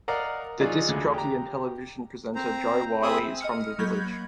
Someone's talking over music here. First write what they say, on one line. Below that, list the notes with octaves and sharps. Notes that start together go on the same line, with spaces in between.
The disc jockey and television presenter Jo Whiley is from the village.
A#4 D5 D#5 F5 F#5 A#5
F#3 D#4 F4 G#4 D5
D2 D3 G#4
G4 A#5
C4 C5 A#5
C4 G#4 E5 B5 D#6
D#5 F6 C#7
F#3 A#3 B5 G6 G#6